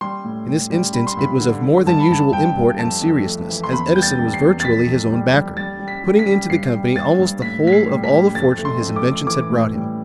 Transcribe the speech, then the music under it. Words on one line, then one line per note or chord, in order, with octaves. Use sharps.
In this instance it was of more than usual import and seriousness, as Edison was virtually his own "backer," putting into the company almost the whole of all the fortune his inventions had brought him.
G3 C6
A2
G3
G3
G3 B5
C6
G2 B5
D3
D3
G2 A5
B5
G2 A5
G2 G5
G2
F2 A5
F2
A3
E3
C6
E2 B5
G3 G6
A6
G3
C7
E2
A6
F2 B6
F2
G3
G3
G3 A6
G3
B6
G3
B6
G3
G2 C7
G3
G2 A6
G2
A2 B6
A2 B6
C7
G3
B6
G3
F2 A6
A3
C6
F2
D6
A3
E3 D6
A2
G3